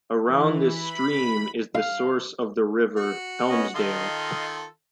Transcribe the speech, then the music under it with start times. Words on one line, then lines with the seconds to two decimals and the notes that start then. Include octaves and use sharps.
Around this stream is the Source of the River Helmsdale.
0.24 E3
0.64 B5
1.75 F5
2.96 F#4
3.50 B3 C#4 D#5
3.75 D#3 F4 A4 D#5 F5 C6